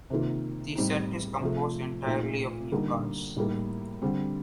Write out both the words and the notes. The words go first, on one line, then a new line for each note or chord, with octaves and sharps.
The set is composed entirely of new cards.
C3 D#3 A#3 F4
A2 G3 C4 D#4
C3 F3 A3
A#2 A3 D#4
D3 G3 A#3 D#4
A2 G3 A#3 D#4
D3 G3 C4